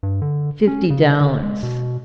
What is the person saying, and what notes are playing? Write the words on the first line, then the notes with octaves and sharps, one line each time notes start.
"Fifty dollars."
G2
D3
C#4
C#3
D3
G#3
B2